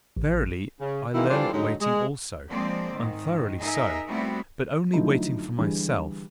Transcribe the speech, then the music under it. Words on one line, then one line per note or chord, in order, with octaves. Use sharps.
Verily, I learned waiting also, and thoroughly so,--but only waiting for MYSELF.
A1
C#3
D#3 E3 G#3 A#3 E4
E3 G3 D4 F4 A4 C5
G#2 D3 F#3 D#4
G#3 G#4
F3 G#3 A#3 C4 C5 D5
G#2 D#3
D#4 G#4 A#4 D#5 E5
G3 A3 B3 C4 E4 F#4
D3 F3 F#3 A3 D#4 E4
D3 E3 G3 G4 G#4